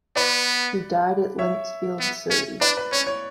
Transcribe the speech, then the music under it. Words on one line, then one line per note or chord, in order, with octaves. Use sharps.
He died at Limpsfield, Surrey.
B3 B4 D5
C#5 E5
B3
C#4
D4 B4 D5
B4
C#4 C#5
C#5